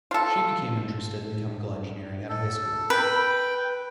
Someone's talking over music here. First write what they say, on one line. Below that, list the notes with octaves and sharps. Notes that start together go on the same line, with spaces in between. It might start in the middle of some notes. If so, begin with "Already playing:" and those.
She became interested in chemical engineering at high school.
F4 A4
A4
B4 G5